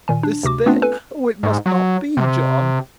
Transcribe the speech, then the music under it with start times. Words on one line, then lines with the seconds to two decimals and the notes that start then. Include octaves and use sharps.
This day--oh, it must not be, John!
0.08 A#2 D#3 G#5
0.23 D4
0.43 D2 C3 F#4 D6
0.66 A3 B3 C4 D4 F4
0.82 A4 B4 G#5
1.43 G#2
1.66 F#3
2.17 C3